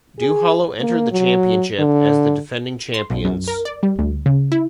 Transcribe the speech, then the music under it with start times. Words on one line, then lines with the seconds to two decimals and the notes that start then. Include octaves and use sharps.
Duhallow entered the championship as the defending champions.
0.19 G#4
0.80 A#3
1.11 F#3
1.79 D3
2.94 C6
3.10 B1
3.25 F#2
3.48 A#4
3.65 D5
3.83 G3
3.99 D2
4.26 C#3
4.52 E4